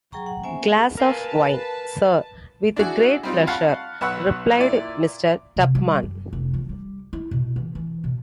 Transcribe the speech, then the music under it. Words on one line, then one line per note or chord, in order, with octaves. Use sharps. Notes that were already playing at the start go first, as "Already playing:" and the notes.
Glass of wine, Sir!’ ‘With great pleasure,’ replied Mr. Tupman.
F#3 G#4 G5 A#5 C#6
F#5
A#3 B3 C#4 C5 E5 G#5
G#4
A#4 B4 F5 G#5 A5
D4 E4 F#4 G#4
G3 C4 D#4 F4
F5 F#5 A5 B5 C#6
B1 B4 F#5 C#6 E6
A#2 E4 D5
C3
G3
F#2
F1
F3
G3
E4
B2
E3
E3
B2